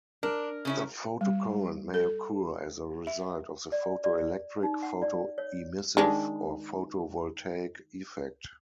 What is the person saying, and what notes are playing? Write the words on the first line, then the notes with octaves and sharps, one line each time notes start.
The photocurrent may occur as a result of the photoelectric, photoemissive, or photovoltaic effect.
D4 A#4
C#3 C#4 E4
G3
A4
E5
D5
D5
D#4
F#5
D5
C#5
D#3 G#3 D4